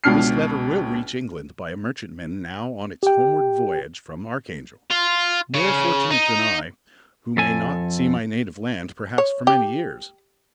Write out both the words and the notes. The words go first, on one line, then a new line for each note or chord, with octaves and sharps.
This letter will reach England by a merchantman now on its homeward voyage from Archangel; more fortunate than I, who may not see my native land, perhaps, for many years.
C#2 B2 D4 F6 C7
G4 G5
F4
C#3
D#4
F2 A4 G#5
C#5
G4